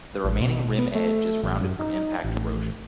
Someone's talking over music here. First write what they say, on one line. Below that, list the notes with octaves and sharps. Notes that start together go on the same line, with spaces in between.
The remaining rim edge is rounded from impact erosion.
A1
B2
B3
A3
A1
F#2
D#4
A1